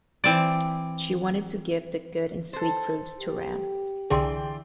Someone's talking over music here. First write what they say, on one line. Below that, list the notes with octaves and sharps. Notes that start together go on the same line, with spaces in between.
She wanted to give the good and sweet fruits to Ram.
E3 C4 D5
A4 C5
G4
C2 D3 E3 G#4 D5 G5 C6